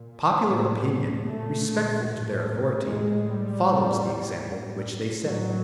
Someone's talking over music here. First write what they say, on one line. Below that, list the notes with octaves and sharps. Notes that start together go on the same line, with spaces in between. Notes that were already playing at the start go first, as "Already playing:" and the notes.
Popular opinion, respectful to their authority, follows the example which they set.
Already playing: A#2
A2 B3
A#2 A3
A2
A2 G#3
G3
A2
A2
A2 F#3